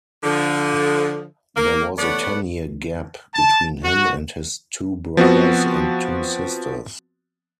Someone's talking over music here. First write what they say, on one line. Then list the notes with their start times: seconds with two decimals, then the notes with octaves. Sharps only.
There was a ten-year gap between him and his two brothers and two sisters.
0.23 D3 F3
1.56 A#3
1.98 A3 B3 B4 C#5 D5 F#5
3.34 A5
3.84 F#4
5.17 F3 B3 C4 F#4